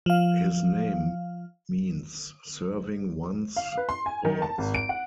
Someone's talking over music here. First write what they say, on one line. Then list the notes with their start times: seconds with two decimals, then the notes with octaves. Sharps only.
His name means serving one's thoughts.
0.06 F3 F5
3.56 F5
3.77 B4
3.89 C6
4.06 G#5
4.25 D#3
4.42 A5
4.58 G#1
4.75 D7
4.89 F#5